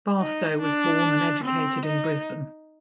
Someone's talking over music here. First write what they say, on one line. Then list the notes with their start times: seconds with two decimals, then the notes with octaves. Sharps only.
Barstow was born and educated in Brisbane.
0.20 D#4
0.61 D4
1.45 C4
1.86 D#4